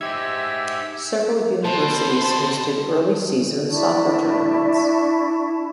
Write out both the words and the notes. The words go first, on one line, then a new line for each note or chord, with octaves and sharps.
Several universities hosted early season soccer tournaments.
D#4 G4 C5 E5 G#6
B2 C5 A5
D4 E4 A5 C#6